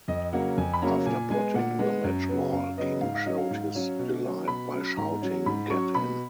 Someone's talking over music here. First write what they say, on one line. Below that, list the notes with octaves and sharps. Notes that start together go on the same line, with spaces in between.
After potting the match ball, King showed his delight by shouting "Get in".
F2 D#5
C#3 F#3 A#3 C#4 F#5
F2 G#5
B5
C#3 F#3 A#3 C#4 A#5
A#2 G#5
G#3 B3 G#5
A#2 F#5
G#3 B3
F#2
C#3 F#3 B3
F#2 F5
C#3 F#3 B3 D#5
G#2 F5
F5
F#3 C#4 D#5
F5
G#2
F#3 C#4
B2
F#3 C#4
B2 B5
F#3 C#4
G#2 A#5
F#3 C#4
G#2 B5
F#3 C#4 C#6
B2 B5